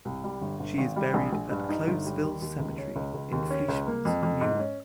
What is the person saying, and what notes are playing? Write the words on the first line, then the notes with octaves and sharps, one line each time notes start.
She is buried at Clovesville Cemetery in Fleischmanns, New York.
C2
G3
G1
G1
G#1
G3
A#1
A#1
G2
D#4
G1
G3
D#2
D#2
C#2
C#4
C#2
C#2
D#2
C#4
C#2
A#3
F2
F2
G#2
C#4